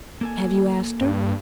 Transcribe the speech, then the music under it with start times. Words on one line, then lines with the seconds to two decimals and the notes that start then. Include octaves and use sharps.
"Have you asked her?"
0.21 A#3 A4 G#5
1.01 G2